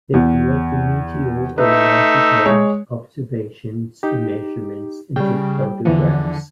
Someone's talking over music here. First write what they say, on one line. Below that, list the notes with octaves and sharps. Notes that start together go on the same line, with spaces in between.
They collected meteorological observations and measurements and took photographs.
E2
A3 D#4 B4 E5
G#3 C#5
D#4 G4
C#3 G3 G5
E2 D3 E3 F3